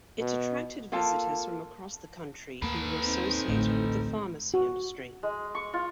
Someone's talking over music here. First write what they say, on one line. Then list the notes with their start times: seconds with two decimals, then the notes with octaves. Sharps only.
It attracted visitors from across the country who were associated with the pharmacy industry.
0.18 B2
0.92 A#3 F4 A4 F5 G5 A5
2.62 D#2 A#3 A4 B4
3.02 C4 D#4
3.48 A1 D2
4.54 F#4
5.23 G#3
5.55 C#6
5.74 F4